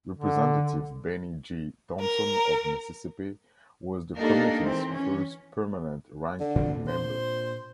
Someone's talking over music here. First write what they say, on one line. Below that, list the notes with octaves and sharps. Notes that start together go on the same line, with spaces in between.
Representative Bennie G. Thompson of Mississippi was the Committee' first permanent Ranking Member.
D3
A#4
A#3 D4 D#4 G4 A4 A#4
E3 C4
E3 C#4
D3
A#2 C4 D4
C5